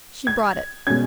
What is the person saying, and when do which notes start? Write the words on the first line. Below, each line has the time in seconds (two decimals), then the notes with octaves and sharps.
She brought it.
0.27 G#6
0.87 B2 G#3 C#4 G#6